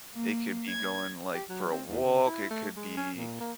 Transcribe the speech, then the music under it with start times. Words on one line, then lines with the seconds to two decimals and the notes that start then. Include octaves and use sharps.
it could be going, like, for a walk, it could be
0.15 A#3
0.68 G#6
1.35 G4
1.49 F#3
1.71 C4
1.88 E2
2.04 C#3
2.26 E4
2.50 A3
2.76 G#3
2.97 C#4
3.17 A#2
3.40 A#3